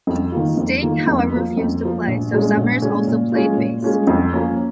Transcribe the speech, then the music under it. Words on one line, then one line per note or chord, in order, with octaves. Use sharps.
Sting, however, refused to play so Summers also played bass.
F2
D#3 A#3 F4
F2
D#3 A#3 F4
F2
F3 A#3
F2
F3 A#3
A#1
A#2 G#3 C#4
A#1
A#2 G#3 C#4
A#2
G#3 C#4 F4
A#2
G#3 C#4 F4
F2
F3 A#3 C#4